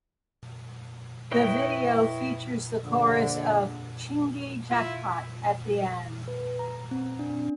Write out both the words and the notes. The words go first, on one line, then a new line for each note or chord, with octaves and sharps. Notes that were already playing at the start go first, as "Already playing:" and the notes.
The video features the chorus of "Chingy Jackpot" at the end.
E4 B4 C#5 D#5 G5
A#1 D3
E4 F4
B4
A#5
C4
D4